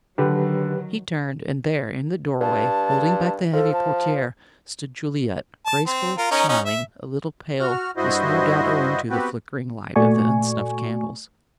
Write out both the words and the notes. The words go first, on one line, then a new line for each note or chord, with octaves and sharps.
He turned, and there in the doorway, holding back the heavy portiere, stood Juliette, graceful, smiling, a little pale, this no doubt owing to the flickering light of the unsnuffed candles.
D3 D#3 F#3 G4 B4
G2 A5
F3 A4
A5
A5
C4
F4 A#4
C#4 D#4 A#4
C#4 D#4
E5
F#4 F6
G2 E4 F#4 C5 D#5
B3 C4 F#4 G4 B4
A#2 A3 F#4 D5 G#5 C#6